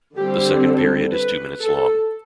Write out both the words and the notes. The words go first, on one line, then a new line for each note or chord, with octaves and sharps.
The second period is two minutes long.
D3 G3 C4 G4
A4
B4
A4